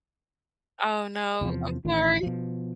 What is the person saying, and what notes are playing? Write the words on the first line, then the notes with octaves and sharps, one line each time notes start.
Oh, no, I'm sorry,
E2 C3 E3 F3
A1 D#3
B2 F3